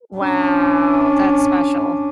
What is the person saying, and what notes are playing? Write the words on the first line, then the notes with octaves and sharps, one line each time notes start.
Wow, that's special.
C#4 D4